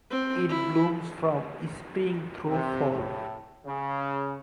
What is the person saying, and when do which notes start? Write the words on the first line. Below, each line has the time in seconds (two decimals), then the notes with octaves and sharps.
It blooms from spring through fall.
0.11 C4
0.49 E4
2.48 C3
2.90 A2
3.67 C#3